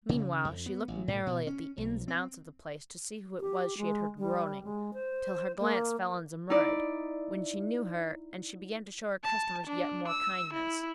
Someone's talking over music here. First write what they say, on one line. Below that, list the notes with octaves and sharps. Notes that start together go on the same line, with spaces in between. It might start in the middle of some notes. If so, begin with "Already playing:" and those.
Meanwhile, she looked narrowly at the ins and outs of the place to see who it was she had heard groaning, till her glance fell on Zumurrud, when she knew her and she began to show her customers yet more kindness.
C#3
F2
B3
A1
A2
B2
C#4
B1
C4
G4
G#3
G3
G#3
C5
A#3
D#4 E4 D5
A5
D4
E6
E4